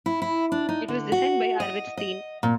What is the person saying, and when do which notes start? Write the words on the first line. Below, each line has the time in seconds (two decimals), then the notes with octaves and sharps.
It was designed by Arvid Steen.
0.06 E4
0.22 E4
0.52 D4
0.69 D#4
0.88 D3
1.12 F#4
1.60 D#5
1.97 D#5
2.43 A#2